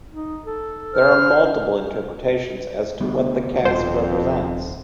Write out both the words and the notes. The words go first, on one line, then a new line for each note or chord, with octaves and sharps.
There are multiple interpretations as to what the cast represents.
D#4
A4
C5 F6
D2 G3 B3
D#1 F2 C5